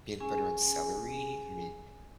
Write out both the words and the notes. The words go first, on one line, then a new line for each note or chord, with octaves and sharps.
peanut butter on celery- I mean
C#4 G#4 G#5